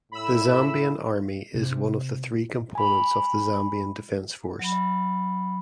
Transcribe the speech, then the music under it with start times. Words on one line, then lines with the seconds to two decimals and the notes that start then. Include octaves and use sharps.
The Zambian Army is one of the three components of the Zambian Defence Force.
0.12 A2 B5 E6
1.55 C3
2.75 G#5 B5
4.59 F#3 B5